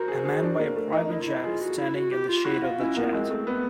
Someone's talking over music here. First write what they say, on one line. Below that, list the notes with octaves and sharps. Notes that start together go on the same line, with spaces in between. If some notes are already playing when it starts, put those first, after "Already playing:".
A man by a private jet is standing in the shade of the jet.
Already playing: F#4 A#4 C5
G#4
G#4
D4
A#3
A3
D#4
D#4 E4
F4
E4
F4 G#4
F#4
E4
F#4
G4
F4
E4 F#4
F4
C#4 E4
A#3 B3
G#3 C4
A3
B3